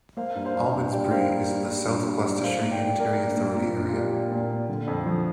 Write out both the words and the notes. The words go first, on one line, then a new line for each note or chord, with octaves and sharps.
Almondsbury is in the South Gloucestershire unitary authority area.
A#3 C5 F5
G2
C5 F5
G2
G2
G3 D5 G5
A#3 C5 F5
G3
G3
G3
G2
G3
G3
A#3 C5 F5
A#3
D5 G5
A#3
A#3 A#4 D5
A#2
D4
A#3
A#3 C4 F4
A#2 D4
F4
A#2 D4 G4
A#3
A#2
A#2
D3
F2
F3